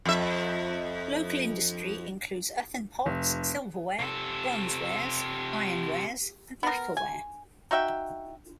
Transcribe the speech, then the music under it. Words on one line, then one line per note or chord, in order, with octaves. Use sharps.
Local industry includes earthen pots, silverware, bronze-wares, iron-wares and lacquerware.
F2 E5
F1
C3 A4
B3 A#4
G#5
D#4 F#4 E5 G5